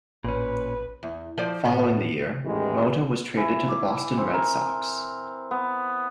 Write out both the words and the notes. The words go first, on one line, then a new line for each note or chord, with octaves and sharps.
Following the year, Mota was traded to the Boston Red Sox.
A1 A#2 C#4 B4
E2
F3 C5 D5
D2 A2 B3
A1 E2 G#2 D#3 E3 G#3
E3
D6
C4
A#4
B3